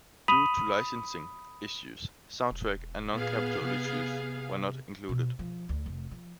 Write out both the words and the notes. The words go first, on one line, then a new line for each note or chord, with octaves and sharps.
Due to licensing issues, soundtrack and non-Capitol videos were not included.
B5 D#6 B6 D#7 F7 F#7
E1
A#2 B3 G#4 F5
C3
B2
F3
D2
F1
F3